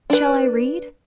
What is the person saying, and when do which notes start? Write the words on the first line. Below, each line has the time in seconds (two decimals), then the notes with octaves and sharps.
Shall I read?
0.10 D4 B4